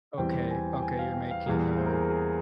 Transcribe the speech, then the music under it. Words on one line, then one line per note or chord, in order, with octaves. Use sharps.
okay, okay, you're making a
E2 E3 G3 C4 G5
G#5
G5
G#5
F5
G5
F5
E2 E3 G3 A#3 G#4
C5
A#4
G#4
A#4
G#4